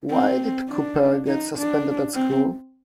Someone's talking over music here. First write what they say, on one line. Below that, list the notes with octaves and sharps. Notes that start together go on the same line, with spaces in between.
Why did Cooper get suspended at school?
C4
D4
D#4
D4
C4